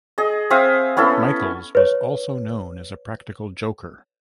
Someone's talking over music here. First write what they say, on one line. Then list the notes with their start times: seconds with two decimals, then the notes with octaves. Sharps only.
Michels was also known as a practical joker.
0.18 G#4 D#5
0.50 C4 E5 F5 D#6
0.97 B3 C#4 E4 A4
1.75 B4 C#5